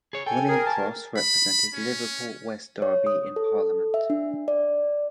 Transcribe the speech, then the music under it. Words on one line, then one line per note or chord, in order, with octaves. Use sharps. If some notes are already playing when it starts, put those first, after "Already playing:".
William Cross, represented Liverpool West Derby in Parliament.
G#4 C#5
A4 G5 G#5
G#4 A#4
A5
B5
C#4
C#5
D#6
A4
E5
D4
D5